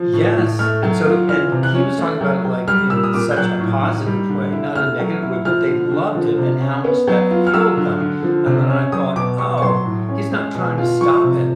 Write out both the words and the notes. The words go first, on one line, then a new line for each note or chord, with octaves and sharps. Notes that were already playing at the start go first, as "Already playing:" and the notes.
Yes, and so and he was talking about it, like, in such a positive way, not a negative way, but they loved it and how much that fueled them, and then I thought, "Oh, he's not trying to stop it,
Already playing: F3
A2
A2
A3 F6
F#3
F4
E3 F6
C3
F#6
C#4
A3
F#3
F#3
G3 F6
A#2 E6
D#6
A#2 D6
G6
F#3 F#6
A2
D#4
G3
D3
E4
A3 F6
F#3
E4
F3 F6
D3
D3
F3
C3
C#4
B3
F#3
F4
F6
F#3 E6
D3
D3
F3
C3
C#4
F#3 D#6
B2 D6
B2 C#6
C#6
F#3 C6
A2
C#4
G#3
B2
F4
F3 C#6
C3